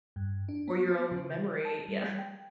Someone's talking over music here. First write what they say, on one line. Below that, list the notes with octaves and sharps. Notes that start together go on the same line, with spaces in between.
Or your own memory. Yeah.
G2
D4
B3
B3
C#3
G6
A5
G3
G5